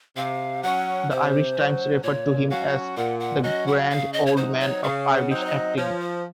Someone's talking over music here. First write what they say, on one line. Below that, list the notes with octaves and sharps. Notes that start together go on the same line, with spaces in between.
"The Irish Times" referred to him as the "grand old man of Irish acting".
C3 F5
F#3 C#4 F#5
C3 C5
F#3 C#4
A#2 C#5
F#3 C#4 F#4 F5
A#2 F#5
F#5
F#3 C#4 F#4 D#5
F#5
C#3 F5
D#5
C#5
F#3 C4 D#4 C5
C#5
C#3 F5
F#5
F#3 C4 D#4
C#5
D#5
F3 C#5
C5